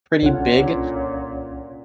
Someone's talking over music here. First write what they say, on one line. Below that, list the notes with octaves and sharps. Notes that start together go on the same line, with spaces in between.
pretty big,
C2 A#2 C#4 D4 F4 A4 C#5 F#5